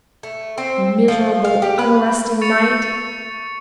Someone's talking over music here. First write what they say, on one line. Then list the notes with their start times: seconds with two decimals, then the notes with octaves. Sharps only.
Miserable, unresting night!
0.23 A3
0.58 C4
1.08 F3
1.44 F5
1.62 G4
1.79 B4
2.41 C#6 A6 C#7 F7